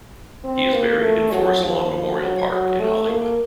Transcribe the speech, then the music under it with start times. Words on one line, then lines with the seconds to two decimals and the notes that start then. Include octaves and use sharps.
He is buried in Forest Lawn Memorial Park in Hollywood.
0.44 C4
0.74 A#3
1.03 A3
1.32 F#3
1.62 F3
1.92 F3
2.21 F#3
2.50 F#3
2.80 A3
3.09 A#3